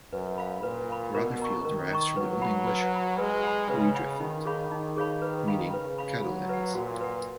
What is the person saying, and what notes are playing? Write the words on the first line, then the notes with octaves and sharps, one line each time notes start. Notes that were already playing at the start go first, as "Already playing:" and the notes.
Rotherfield derives from the Old English "redrefeld" meaning "cattle lands".
F#2 B4
F5 B5
A#2 B4
F5 B5
B2 A#4
D#5 A#5 C#6
D#3 A#4
D#5 A#5 C#6
F#3 B4
F#5 B5
B4
F#5 B5
G#3 B4
F#5 B5
C#3 B4
F#5 B5
D#3 D#4
G#4 C#5 F5 B5
D#3 D#4
G#4 C#5 F5 B5
B4
F5 B5
C#3 B4
F5 B5
F#3 F#4
B4 F#5
A#2 F#4
B4 F#5